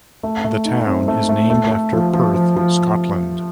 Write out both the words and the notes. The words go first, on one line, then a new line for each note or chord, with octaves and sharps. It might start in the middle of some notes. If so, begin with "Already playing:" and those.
The town is named after Perth, Scotland.
A3
A3
D#4
C4
A3
A3
A3
A3
F3
F3
F3
F3